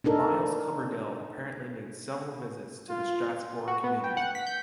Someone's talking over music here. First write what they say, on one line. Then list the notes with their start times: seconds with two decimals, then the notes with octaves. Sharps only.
Myles Coverdale apparently made several visits to the Strasbourg community.
0.04 D4 D#4 A4 A#4
2.89 F4
3.68 F#4
3.84 B3
4.04 G5
4.17 F#5
4.35 B6
4.47 G6